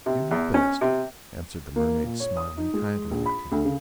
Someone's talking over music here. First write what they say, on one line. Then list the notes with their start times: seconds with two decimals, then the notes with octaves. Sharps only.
"You know best," answered the Mermaid, smiling kindly at him.
0.06 C3
0.31 E2
0.54 C#4
0.81 C3
1.76 A#3
2.04 A#2
2.20 C#5
2.36 D#6
2.57 D#4
2.74 G#3
3.11 A#1
3.26 B5
3.52 D2
3.65 C#3